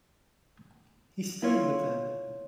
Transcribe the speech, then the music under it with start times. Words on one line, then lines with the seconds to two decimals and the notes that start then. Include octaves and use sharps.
He stayed with them.
1.42 E4 F4 C#5